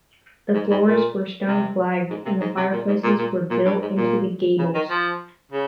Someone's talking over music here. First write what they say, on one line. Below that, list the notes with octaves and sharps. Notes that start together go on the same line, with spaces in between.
The floors were stone flagged and the fireplaces were built into the gables.
G#2
G#2
A#2
C3
G#2
C3
G#2
C3
A#2
G#2
A#2
A#2
A#2
G2
G#2
A#2
C#3
D#3
F3
C#3